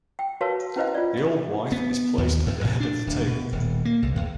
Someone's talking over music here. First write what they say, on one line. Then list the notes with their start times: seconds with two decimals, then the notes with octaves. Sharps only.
The Old Wife is placed at the head of the table.
0.19 G5
0.41 F#4 A#4 B4 C#5 F5 A5
0.76 C#4 E4 B4 C5 D#5 F5
0.94 F4 D5
1.72 B3
2.18 D#2
2.46 E2
2.64 A2
2.80 D4
3.07 D1
3.27 B2
3.52 D#1
3.85 A#3
4.02 C2
4.16 E2